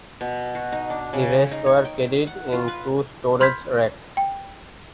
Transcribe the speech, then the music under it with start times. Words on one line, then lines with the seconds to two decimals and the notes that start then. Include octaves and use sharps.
The rest were carried in two storage racks.
0.21 B2
0.55 F#4
0.72 D#4
0.90 D4
1.13 C#3
1.51 D#4
1.66 C#5
1.85 G5
2.27 F#5
2.52 F4
2.68 B4
3.40 B5 C6 F6 G6 G#6 B6
4.17 G5